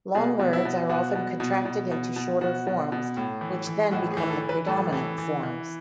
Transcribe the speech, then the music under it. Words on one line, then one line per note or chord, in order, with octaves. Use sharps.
Long words are often contracted into shorter forms, which then become the predominant forms.
B2 G#4
B2
E4
B2
B2 F#4
B2
B2
B2
B2
B2
B2 F#4
B2
B2
A2
E3
E3
A2 F#4
G#4
E3
A4
E3
B4
A2 A4
E3
E3
E3